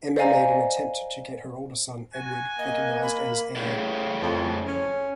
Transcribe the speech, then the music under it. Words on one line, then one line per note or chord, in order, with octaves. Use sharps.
Emma made an attempt to get her oldest son, Edward, recognized as heir.
C5 D5 D#5 F5 G#5 A#5
F#4 G#5
A#3 D#5
B5
A2 C#3
F2
C#4